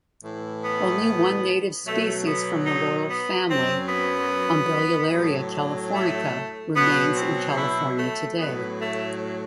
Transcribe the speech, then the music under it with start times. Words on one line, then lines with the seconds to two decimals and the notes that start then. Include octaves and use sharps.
Only one native species from the laurel family, "Umbellularia californica", remains in California today.
0.21 A2 E3
0.62 B3
1.85 B2 F#3 A3
2.25 B3
2.66 D#4
3.08 B3
3.48 F#2 F#3 C4
3.88 B3
5.11 A2 F#3
5.93 A3
6.75 B2 F#3 B3
7.16 C4
7.57 E4
7.97 A3
8.38 A2 F#3 B3
8.80 A3